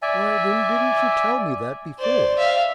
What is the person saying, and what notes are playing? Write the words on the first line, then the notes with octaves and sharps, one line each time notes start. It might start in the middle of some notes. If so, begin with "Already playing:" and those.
"Why, then, didn't you tell me that before?"
D5 E5 G#5
C5 D5
E5 F5